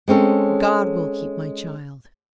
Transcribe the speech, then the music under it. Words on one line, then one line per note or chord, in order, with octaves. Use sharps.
'God will keep my child.'
G#3 C4 C#4 A4